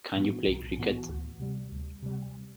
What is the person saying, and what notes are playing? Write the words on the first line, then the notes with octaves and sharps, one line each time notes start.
Can you play cricket?
A2 E3 B3 F#4
B1
A2 E3 B3 F#4
D2
C3 G3
D2
C3 G3